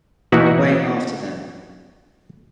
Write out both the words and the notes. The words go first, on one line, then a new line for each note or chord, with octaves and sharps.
Away after them!
B2 E3 A#3 D#4 E4 F#4